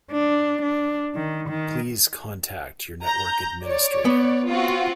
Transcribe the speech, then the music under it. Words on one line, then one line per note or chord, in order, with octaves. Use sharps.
Please contact your network administrator.
D4
D4
D#3
D#3
A#5 G6
C#5 D5
B3
C4 F4 F#4